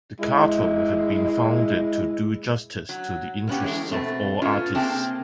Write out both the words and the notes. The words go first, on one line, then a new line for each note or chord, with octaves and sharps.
The Cartel had been founded to do justice to the interests of all artists.
G#3 E4
F#3
A#3 B3 C#4 G4
E3 G#3 A3
B2 A3 C4
A3 B3 C#4 F4 A4
C3 A#3 C4 G#4 G5 A5